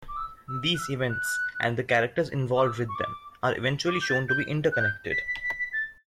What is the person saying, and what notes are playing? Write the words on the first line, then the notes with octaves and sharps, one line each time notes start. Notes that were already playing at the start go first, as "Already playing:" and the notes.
These events-and the characters involved with them-are eventually shown to be interconnected.
D6
E6
E6
F#6
E6
F#6
D6
E6
C#6
D6
D6
G6
A6
G6
F#6
G6
B6
B6
B6
B6
A6